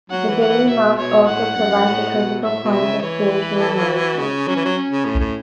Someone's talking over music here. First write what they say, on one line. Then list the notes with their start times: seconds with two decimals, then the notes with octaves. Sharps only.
The daily Mass also provides a critical point of spiritual nourishment.
0.10 F#3 F#5
0.29 E3
0.40 F#5
0.48 E3
0.69 B2 E5
0.98 B2 C#5
1.27 A2 F#5
1.56 F#2
1.74 F#2
1.86 A2
2.15 B2
2.43 A2 E5
2.63 B2
2.72 E5
2.82 C#3
3.01 E3 C#5
3.30 B4
3.59 A4
3.90 F#4
4.19 C#3 C#4
4.47 F#3 C#4
4.56 E3
4.65 F#3
4.76 C#4
4.91 C#3
5.05 A2
5.20 A2